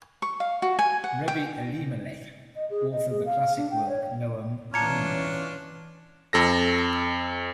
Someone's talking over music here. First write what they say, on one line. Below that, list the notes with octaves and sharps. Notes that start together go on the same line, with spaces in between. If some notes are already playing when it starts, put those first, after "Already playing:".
Rebbi Elimelech authored the classic work "Noam Elimelech".
C#6
F5
F#4
G#5
F#5
G5
D#5
G#4
D#5
G#4
F5
D4
G5
C#5
E3 C#4 D4 F4 A5 A#5 G#6 C#7
F2 A4 A#6